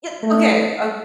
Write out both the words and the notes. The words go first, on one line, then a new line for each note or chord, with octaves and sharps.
Ye okay. O
A3